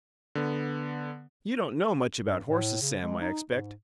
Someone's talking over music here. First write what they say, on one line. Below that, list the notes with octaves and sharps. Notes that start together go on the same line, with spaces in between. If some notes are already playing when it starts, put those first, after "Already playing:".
You don't know much about horses, Sam, I expect.
D3 B3
G2
A2
C#3
G#3
D#4
G#2